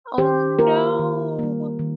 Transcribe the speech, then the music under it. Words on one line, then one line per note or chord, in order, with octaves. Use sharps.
Oh, no.
D#3 G4 C5
A#3 F4 A#4
D#3
G3 A#3
D#3